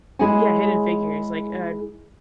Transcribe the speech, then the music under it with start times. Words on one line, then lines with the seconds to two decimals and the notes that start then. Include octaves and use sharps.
Yeah, Hidden Figures, like, uh,
0.19 G#3 E4 G#4 C#5 F#5 G#5